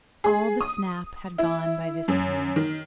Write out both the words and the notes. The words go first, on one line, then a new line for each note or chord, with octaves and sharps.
All the snap had gone by this time.
G#4
D#6
E4
F#2
D#3